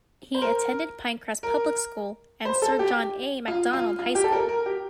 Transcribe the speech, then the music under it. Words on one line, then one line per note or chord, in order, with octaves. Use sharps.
He attended Pinecrest Public School and Sir John A. Macdonald High School.
C5
A#4
A#4
C5
A4
G4
F4
F4
F4
G4
A4
A#4
A#4
G4